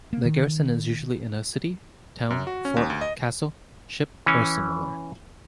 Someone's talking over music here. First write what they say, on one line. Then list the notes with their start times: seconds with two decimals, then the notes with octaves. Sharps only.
The garrison is usually in a city, town, fort, castle, ship or similar.
0.13 A#3
0.25 D#3
2.30 F#2
2.47 F#4
2.65 C#4
2.77 D#2
2.90 D2
3.01 D#5
4.26 E3 C#4